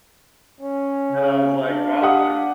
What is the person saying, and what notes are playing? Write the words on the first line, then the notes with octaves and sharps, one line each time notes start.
and I was like, "Well, I g"
C#4
C#3
D4 F5
G4 F#5 D#6